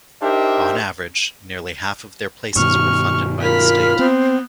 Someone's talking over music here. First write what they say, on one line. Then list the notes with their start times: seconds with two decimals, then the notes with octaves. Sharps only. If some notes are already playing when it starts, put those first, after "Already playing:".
On average, nearly half of their places were funded by the state.
0.22 D4 D#4 G4 A#4 C5 E5
2.56 G2 B2 D#3 C#6 F6
3.42 F4 A#4 B5 F6 B6
3.99 B3 C4 C5